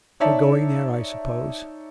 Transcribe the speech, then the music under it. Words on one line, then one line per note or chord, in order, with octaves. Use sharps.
You're going there I suppose.'
D#4 C#5 D5 E5 A5